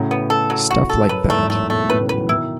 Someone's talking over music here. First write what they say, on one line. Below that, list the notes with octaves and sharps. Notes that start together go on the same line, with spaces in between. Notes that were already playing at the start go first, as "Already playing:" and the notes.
Stuff like that.
Already playing: A2 C#3 F#3
B3
A4
F#3
F#4
A4
F#2 B4
E2 G#2 A3
F#2 A2 A3
G#2 B2 A3
A2
B2 B4
A2 C#3
B4
F#3
E3
B2 D#3 E4